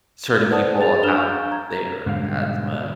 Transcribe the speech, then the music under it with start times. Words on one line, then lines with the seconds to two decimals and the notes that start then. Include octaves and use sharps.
certain people have their asthma
0.50 B4 C5 D5 F#5 A5 D#6
0.80 G#4 A6 F7
1.03 D4 F6 E7 F7 G7
1.16 F5 C#6 G6
1.51 A#5 G#6
2.06 G#2 B2 D3 G3 F5